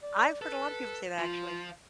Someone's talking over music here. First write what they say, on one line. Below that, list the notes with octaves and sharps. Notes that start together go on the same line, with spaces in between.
I've heard a lotta people say that, actually.
D5
A4 B4
F3 F4